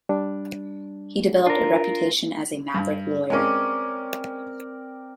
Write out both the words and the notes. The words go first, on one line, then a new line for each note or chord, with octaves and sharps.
He developed a reputation as a maverick lawyer.
G3 D4
D4 F4 A#4
G2
G#3 C4 C#4 A#4 D5